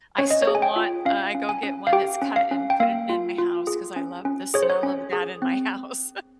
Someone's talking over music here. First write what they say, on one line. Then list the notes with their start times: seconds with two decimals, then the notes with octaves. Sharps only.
I still want, uh, I go get one that's cut and put it in my house 'cause I love the smell of that in my house.
0.18 C#4 C#5
0.31 D#5
0.42 C#5
0.47 G#4
0.55 G#5
0.62 G5
0.76 F4
1.05 C#4 F5
1.35 C#4
1.49 G#5
1.63 C#4
1.87 F5
1.93 G4 G5
2.22 C#4
2.36 F5
2.51 C#4
2.70 G5
2.80 A#3 F5
3.09 F4
3.38 F4
3.67 G#4
3.96 C#4
4.25 C#4
4.54 G#4 C#5
4.63 C5
4.70 C#5
4.83 C#4
5.13 G#4
5.42 C4